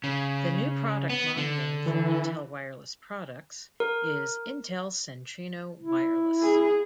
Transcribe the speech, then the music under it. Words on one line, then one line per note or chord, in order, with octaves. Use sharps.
The new product line name for Intel wireless products is Intel Centrino Wireless.
C#3
B3
D3
E3
A#4
E4
G#4